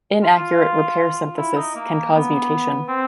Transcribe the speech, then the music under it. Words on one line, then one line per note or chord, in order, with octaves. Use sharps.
Inaccurate repair synthesis can cause mutation.
F4
E4
D#4
A#3
B3
C4